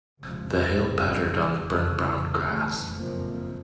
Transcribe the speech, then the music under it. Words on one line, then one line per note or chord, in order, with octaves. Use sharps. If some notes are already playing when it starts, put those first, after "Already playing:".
The hail pattered on the burnt brown grass.
C#2 C3 F3
F#1 F2 C#3 E3 G3
E2 C#3 E3
F1 E2 C#3
G1 G2 E3 A3
F#1 F2 C#3 F3 A#3